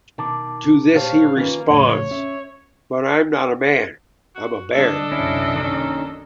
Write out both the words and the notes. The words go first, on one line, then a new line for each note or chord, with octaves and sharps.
To this he responds, "But I'm not a man, I'm a bear".
B2 D#3 A5 D6
A#2 G4 C5 C#5 F5 A5
D#3 A#3 C#4 F4 B4
E2 A2 C#3 F3 A3 C#5
C#4 E5
F#4
D3 G3 D4 A4 D#5
B1 F#2 C3 C#4 E4
D#3 A#3 C#4